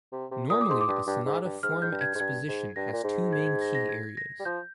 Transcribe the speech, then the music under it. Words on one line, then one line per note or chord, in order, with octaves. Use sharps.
Normally, a sonata form exposition has two main key areas.
C3
C3
A#2 D#6
D6
G#2 C6
D6
G2
G2
G#2
G2
G#2 F6
G#2 G6
G2
G#6
G#2
G2 G#6
G#2
G2 A#6
A#2
G#2
G#6
G#6
A#6
A#6
G#6
A#6
G3
F3 G6